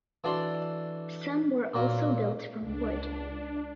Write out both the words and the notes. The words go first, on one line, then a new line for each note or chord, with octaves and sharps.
Some were also built from wood.
E3 D4 F#4 A4 D5 C6
A#2 F#3 A#4
C#2 D4